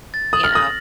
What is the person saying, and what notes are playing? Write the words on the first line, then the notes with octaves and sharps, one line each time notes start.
you know,
A6
D#6 F#7
F6
D#6 A#6